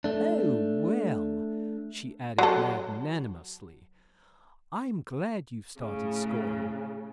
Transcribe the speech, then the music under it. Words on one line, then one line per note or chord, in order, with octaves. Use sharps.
Oh, well," she added magnanimously, "I'm glad you've started scoring.
A3 D4
F#3 A4
A2 C#3